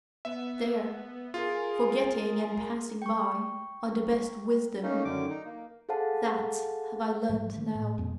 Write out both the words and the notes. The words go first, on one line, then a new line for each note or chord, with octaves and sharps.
There, forgetting and passing-by are the best wisdom: THAT have I learned now!
B3 E5
F4 G#4 A#4
G5 C#6
A3 A#3 C#4 D#4
F#2 D3 D#3 D6
D#4
A#3
G#4 A4 C5 F5 F#5 A5
G#2 F3 G3 A3
D#3 G#3 A#3
A2
F2 B2 G3 B3